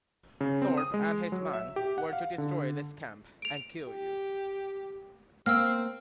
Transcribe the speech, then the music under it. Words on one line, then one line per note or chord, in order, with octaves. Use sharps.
Thorpe and his men were to destroy this camp, and kill you.
C#3
C4
D#6
G#3
F#3
E5
G4
F#5
F5
D3
D7 F7
G4
A#3 C4 F5 G5 E6 F6